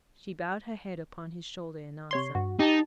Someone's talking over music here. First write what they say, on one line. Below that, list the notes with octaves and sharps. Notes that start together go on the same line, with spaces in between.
She bowed her head upon his shoulder in answer.
C3 C#5 C6
G2 F#4
D#4 G4 A5